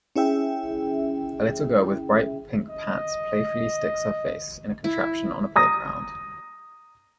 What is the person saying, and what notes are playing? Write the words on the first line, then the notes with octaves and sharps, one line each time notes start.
A little girl with bright pink pants playfully sticks her face in a contraption on a playground.
C#4 E4 G#4 E5 G5
D#5
E4
A#5 D#6 A#6